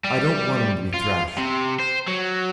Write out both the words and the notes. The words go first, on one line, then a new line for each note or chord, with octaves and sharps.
I don't want him to be thrashed.
G3
F4
C3
C5
F#3